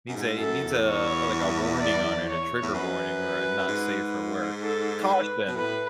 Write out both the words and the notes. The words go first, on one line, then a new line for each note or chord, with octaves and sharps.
Needs a needs, uh a like a warning on it, a trigger warning or a not-safe-for-work, "Caution
F#2
G#2
F#2 A4
E2
C#5
D5
C#5
E2
F#2 B4
F#2
G#2
A4
B4
B2
A2 B4